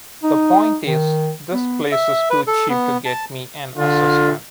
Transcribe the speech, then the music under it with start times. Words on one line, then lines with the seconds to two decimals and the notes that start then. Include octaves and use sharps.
The point is, this place is too cheap to get me an assistant.
0.23 D#4
0.87 D#3
1.53 B3
1.92 E5
2.30 B4
2.47 A4
2.69 B3
3.05 A5
3.78 D3 F4